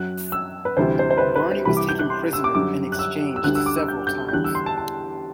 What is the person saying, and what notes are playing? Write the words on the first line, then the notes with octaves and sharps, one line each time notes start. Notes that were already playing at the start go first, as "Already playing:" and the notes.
Barney was taken prisoner and exchanged several times.
Already playing: F#2 F#3 F#6
E6
B4
D2 C3 E3 G3 C5
C5
C5
B4
C5
B4
C5
C2 C3 E3 G3 B5
D6
G6
F#6
C6
E6
D6
F#2 D3 G3 D6
F#6
E6
E6
D2 D3 G3 F#6
E6
D6
E6
G6
G6
G6
E2 D3 G3 F#6
E6
C6
A5
A5